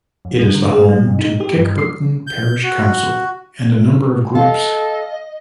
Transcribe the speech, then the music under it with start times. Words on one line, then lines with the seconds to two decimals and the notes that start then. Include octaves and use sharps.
It is the home to Kirkburton Parish Council and a number of groups.
0.25 F2
0.39 G3
0.55 D3
0.72 G#4
0.89 G3
1.07 G2
1.19 D#4
1.40 G4
1.56 G2
1.78 C7
2.27 G6
2.63 F#4
4.35 A4 D#5 F5